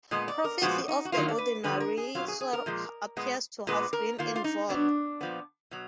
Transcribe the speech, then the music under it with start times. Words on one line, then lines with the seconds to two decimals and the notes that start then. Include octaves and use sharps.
Prophecy of the ordinary sort appears to have been in vogue.
0.11 A#2 G#3 B3 D#5
0.28 D5
0.44 A#4
0.61 A#2 F3 G#3 B3 F#4
0.88 D#4
1.05 F#4
1.12 D#3 F#3 A#3 F4
1.28 D5
1.38 B4
1.64 D3 F3 G#3 B3 B4
1.80 A#4
1.97 G#4
2.15 B2 F#3 A#3 F4
2.28 G#4
2.41 G#4
2.53 A#4
2.66 A#2 F3 G#3
3.17 A#2 G#3 B3
3.67 A#2 G#3 B3 B4
3.93 A#4
4.18 D#3 A#3 F4
4.36 F4
4.44 D#4
4.69 B2 F#3 B3 D4
5.21 A#2 F3 B3
5.71 B2 F#3